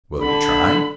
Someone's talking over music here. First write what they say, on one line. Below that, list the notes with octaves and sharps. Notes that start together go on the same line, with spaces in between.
"Will you try?"
D3 B5